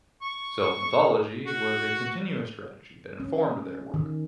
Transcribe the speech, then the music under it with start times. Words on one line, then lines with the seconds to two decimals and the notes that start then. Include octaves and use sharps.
Self-mythology was a continuous strategy that informed their work.
0.22 C#6
1.46 F#4
3.20 C#4
3.94 D#3